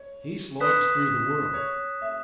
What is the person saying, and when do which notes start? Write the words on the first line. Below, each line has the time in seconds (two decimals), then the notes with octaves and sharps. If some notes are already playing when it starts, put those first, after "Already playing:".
He slogs through the world.
Already playing: C#5
0.60 B4 D#6 F#6 B6 E7
1.54 C#5
2.01 E5